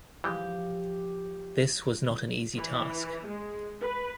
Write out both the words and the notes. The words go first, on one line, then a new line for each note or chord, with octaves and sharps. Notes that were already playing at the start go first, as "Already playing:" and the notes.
This was not an easy task.
E3 F3 G3 G#3 G4
E3
G#3
B4